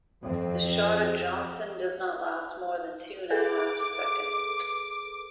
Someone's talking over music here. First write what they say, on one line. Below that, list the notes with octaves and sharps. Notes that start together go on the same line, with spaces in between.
The shot of Johnson does not last more than two and a half seconds.
F2 C4
G#4 A4 B4 D6